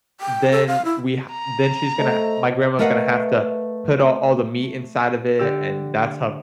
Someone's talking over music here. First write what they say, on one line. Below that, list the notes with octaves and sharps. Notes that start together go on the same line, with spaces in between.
Then we ha then she's gonna ha my grandma's gonna have to put on all the meat inside of it and that's a
G5
A4
F5
E4
A#5
A3 C5 D#5 A5
A3 A#4 B4 D#5 F5 F#5
D3 G4 E6